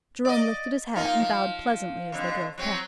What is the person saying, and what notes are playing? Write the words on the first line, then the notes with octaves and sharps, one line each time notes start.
Jerome lifted his hat and bowed pleasantly as they drove past.
D5 D#5
A#3 D#4 F4
F3
F2 D3
F#3 C4